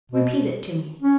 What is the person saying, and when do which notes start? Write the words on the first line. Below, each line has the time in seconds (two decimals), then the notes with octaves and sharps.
"Repeat it to me."
0.12 B2
1.02 C#4